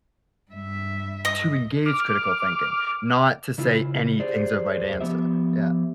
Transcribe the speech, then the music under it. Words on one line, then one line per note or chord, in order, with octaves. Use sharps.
to engage critical thinking, not to say anything's a right answer. Yeah.
G2 E5
D#5 D#6
D6 F6
C#3 E4 F4
G4 G#4 C5 D5
F3 B3 G4 E5